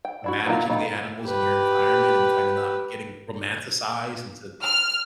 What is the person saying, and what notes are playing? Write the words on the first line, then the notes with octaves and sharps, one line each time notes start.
managing the animals in your environment and kind of not getting romanticized into
G5
D4 E4 F#4
D#3 F#3 A#3 E4 F4
D#3 B3 D#4 F4
G4 B4
F6